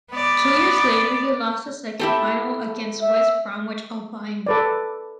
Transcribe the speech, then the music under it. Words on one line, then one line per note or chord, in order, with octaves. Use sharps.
Two years later he lost a second final against West Bromwich Albion.
B3 D5
E4 G4 A4
E5
A4 B4 D5